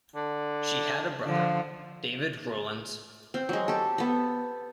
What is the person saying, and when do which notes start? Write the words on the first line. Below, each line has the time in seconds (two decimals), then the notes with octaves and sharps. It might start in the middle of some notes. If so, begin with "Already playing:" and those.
She had a brother, David Rowlands.
0.15 D3
1.24 D3 F3
3.34 C4
3.49 F#3 G#3
3.68 G4 A4
3.98 B3 A4